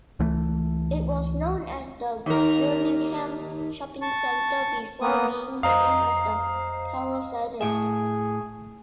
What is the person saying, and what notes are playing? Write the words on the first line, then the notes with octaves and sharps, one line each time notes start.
It was known as the Birmingham Shopping Centre before being renamed as The Pallasades.
C#2 E3 A3
D#2 A#4
A5 C#6
A#3 B3 D#6
F2 C5 D#5 F5 A#5 D#6 C7
A2 G#4 E5